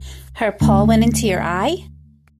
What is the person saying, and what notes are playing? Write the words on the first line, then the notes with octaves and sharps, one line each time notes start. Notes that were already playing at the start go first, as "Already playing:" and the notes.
Her paw went into your eye?
Already playing: C2
D#2 D3 A3 D4